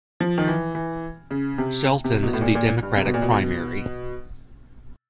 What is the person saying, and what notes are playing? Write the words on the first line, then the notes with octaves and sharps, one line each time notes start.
Shelton in the Democratic primary.
F3
D#3
E3
E3
C#3
C3
C3
B2
A2
A#2
A#2
G2
C3
B2
A#2
B2